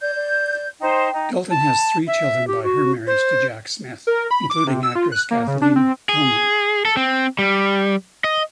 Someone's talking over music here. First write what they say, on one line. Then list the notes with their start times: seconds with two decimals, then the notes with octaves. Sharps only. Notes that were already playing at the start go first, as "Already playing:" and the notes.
Dalton has three children by her marriage to Jack Smith, including actress Kathleen Kinmont.
0.01 D5 G6
0.15 D5
0.81 D#4 C5 G5
1.13 D#4
1.50 A5
2.07 E5
2.47 G4
2.63 F#4
3.07 C5
4.07 A#4
4.31 B5
4.50 D6
4.67 C3
4.83 E6
4.95 F4
5.12 F#6
5.31 A#3
5.48 C#3
5.62 D4
5.76 C4
6.09 G#4
6.85 A4
6.97 C4
7.39 G3
8.24 D#5